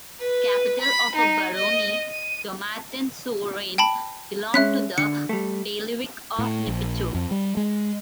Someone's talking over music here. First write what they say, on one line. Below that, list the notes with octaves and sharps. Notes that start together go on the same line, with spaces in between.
Capital of a barony, Dommartin-sur-Vraine belonged to the bailiwick of Neufchâteau.
B4
B5
D#4
D#5
D#7
G5 A5 B5
G#3 C#4 E5 F#6 B6
D3 C#7
G3 A3
A2
A#1
F2
G3
G#3